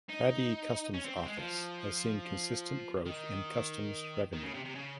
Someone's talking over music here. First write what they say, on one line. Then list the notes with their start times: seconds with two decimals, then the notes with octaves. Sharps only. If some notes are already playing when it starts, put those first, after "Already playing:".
Thadi Customs Office has seen consistent growth in customs revenue.
0.09 D#4
0.94 C#4
1.05 C4
1.16 C4
1.25 G#3
1.37 F3
3.06 D#3
4.33 D#3
4.43 C#3
4.54 C3
4.65 C3
4.75 C#3